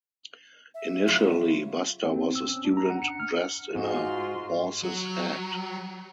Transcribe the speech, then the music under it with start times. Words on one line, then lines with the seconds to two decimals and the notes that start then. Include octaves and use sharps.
Initially Buster was a student dressed in a horse's head.
0.74 E5
1.08 C#3 F#3 F4
2.05 C4
2.16 C4
2.35 E6
2.47 C#4
2.65 D4
2.77 A#5
2.90 F#5
3.02 C#7
3.20 F6
3.75 G#2 D#4 F4 F#4 C6
4.83 F#3